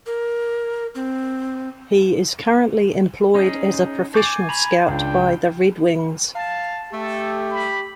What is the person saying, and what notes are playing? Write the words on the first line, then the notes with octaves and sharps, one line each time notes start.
He is currently employed as a professional scout by the Red Wings.
A#4
C4
C#4 D#4 G#4
G#5 C#6 D6 G6 A6 C7
A#5 B5
C#2 D4 G5
F5 A5
A3 G4 A4
B5